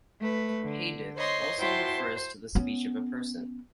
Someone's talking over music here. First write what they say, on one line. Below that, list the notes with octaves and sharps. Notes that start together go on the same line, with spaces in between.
"Hadith" also refers to the speech of a person.
A3 B4
D3
C5 C#5 D#5 C6
E4 F#4 C5 G5 A5 C6
C5
B3 C#4